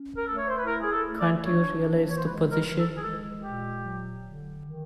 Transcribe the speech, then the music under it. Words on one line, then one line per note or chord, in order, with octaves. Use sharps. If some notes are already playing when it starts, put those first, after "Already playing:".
Can't you realize the position?
Already playing: C#4
A#4
A3 A4
C#5
C5
B4
E4 A#4
G#4
A4
A3
D5
D4 C#5
A#3
C#5
C5
G#3 B4
A#4
D#3
A4
G#4
G#3 A4
A#2 G4
F#3
D3
D#3